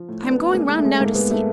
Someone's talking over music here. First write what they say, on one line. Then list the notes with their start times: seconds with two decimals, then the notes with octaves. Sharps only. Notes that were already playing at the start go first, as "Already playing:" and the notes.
I am going round now to see it.
Already playing: F3
0.09 A2
0.23 D4
0.31 B3
0.39 D4
0.54 G#3 A#3
0.69 G#3
0.77 A3
0.85 G#3
1.00 G#2 A#3
1.14 G#3 B3
1.31 A3